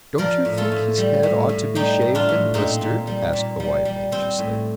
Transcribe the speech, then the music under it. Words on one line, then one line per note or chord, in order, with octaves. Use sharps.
"Don't you think his head ought to be shaved and blistered?" asked the wife, anxiously.
F3 A#4 D5
A2
F4 A4
A2
G3
A2
A2
G3 D#4 G4
A2
D4 F4
A2
A#2 C4 D#4
A#2
G3
A#2
G3
G3
G3 C4
A2